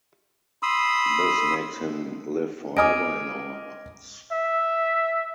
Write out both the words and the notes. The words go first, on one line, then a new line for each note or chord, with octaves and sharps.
This makes him live forever in our hearts.
B5 C6 D#6 E6
D#5 G#5 D6 D#6 F6 D7
E5